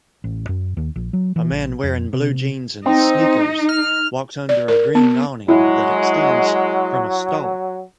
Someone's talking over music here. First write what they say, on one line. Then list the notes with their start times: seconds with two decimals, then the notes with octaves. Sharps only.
A man wearing blue jeans and sneakers walks under a green awning that extends from a store.
0.24 A1
0.49 F#2
0.77 D#2
0.96 A#1
1.13 F#3
1.36 E3
1.50 A#1
1.83 F2
2.13 C3
2.86 C4 D#4
3.69 F6
4.49 D5
4.68 A#4
4.95 B3
5.48 F#3 G#3 E4